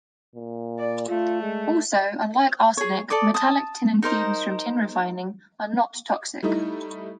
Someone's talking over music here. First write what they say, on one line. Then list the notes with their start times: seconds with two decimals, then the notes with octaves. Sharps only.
Also, unlike arsenic, metallic tin and fumes from tin refining are not toxic.
0.36 A#2
0.79 D5
1.09 A3 F4
1.42 G#3
2.77 G#4 C#5
3.10 A4 D5 D6 D#6
3.34 A5 D#6
4.02 D#4 A#4 C5 D#5
6.43 G3 A3 D#4 E4